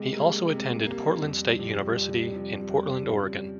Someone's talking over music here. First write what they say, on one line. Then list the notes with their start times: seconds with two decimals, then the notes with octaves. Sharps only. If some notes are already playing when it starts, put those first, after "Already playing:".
He also attended Portland State University in Portland, Oregon.
Already playing: C3 G#3
0.13 G3 A#3
0.49 C3
0.86 G3 A#3
1.22 F2 G3
1.59 C3 F3
1.95 F2
2.32 C3 F3
2.68 F2
3.05 C#3 F3